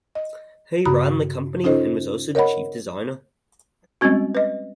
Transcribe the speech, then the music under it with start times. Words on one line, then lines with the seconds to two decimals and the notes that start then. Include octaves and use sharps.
He ran the company and was also the chief designer.
0.15 D#5
0.85 G2 C#3 F#4 A#5 B5 D#6
1.64 C#4 D#4 F4 A4 C5 D#5
2.35 A#4 C#5 D#5 F#5 B5
4.01 G3 G#3 C4 C#4 F#4
4.35 B4 D#5